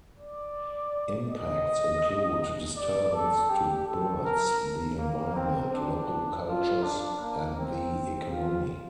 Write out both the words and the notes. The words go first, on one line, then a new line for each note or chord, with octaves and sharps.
Impacts include disturbance to birds, the environment, local cultures and the economy.
D5
D#5
D5
A4
G4
A4
A#4
A#3
C4
D4
F4
D4
A#3
C4
F4